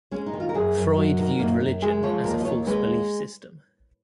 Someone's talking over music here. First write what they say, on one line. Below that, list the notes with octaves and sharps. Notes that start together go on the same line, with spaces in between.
Freud viewed religion as a false belief system.
G#3 C#4
D#4
D#3
F4
A#4
F#2 G#4
F#2
F#3
D#3
F#2 A#3
F#2
G#3 G#4
F3 C#5
D#2 A#4
D#5
D#2 C#5
G#3 B4